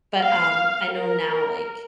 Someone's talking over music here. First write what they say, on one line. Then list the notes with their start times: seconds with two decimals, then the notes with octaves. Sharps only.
but, um, I know now, like
0.23 F5
0.89 A#4